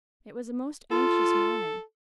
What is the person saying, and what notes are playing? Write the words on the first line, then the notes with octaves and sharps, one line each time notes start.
It was a most anxious morning.
F4 A4